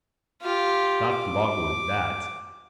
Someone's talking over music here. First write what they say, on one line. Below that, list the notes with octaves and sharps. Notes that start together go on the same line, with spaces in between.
Not logwood that.
F4 G4
D6